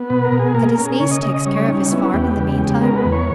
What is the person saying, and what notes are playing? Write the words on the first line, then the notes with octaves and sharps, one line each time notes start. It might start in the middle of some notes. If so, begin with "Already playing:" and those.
"And his niece takes care of his farm in the meantime?"
Already playing: B3
B2 B4
A#4
B2
G#4
A#3 A#4
G#4
A#4
C#4
G#4
C#3 C#5
D#5
C#3 D#5
D#5
G3 C#5
C#4 D#4
B3 E4
E2 G4
C#3
G#3
B3 A#4
B4
E2
C#5